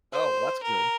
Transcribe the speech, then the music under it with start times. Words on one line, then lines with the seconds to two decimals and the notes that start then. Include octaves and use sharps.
Oh, well, that's good.
0.13 C5
0.63 A#4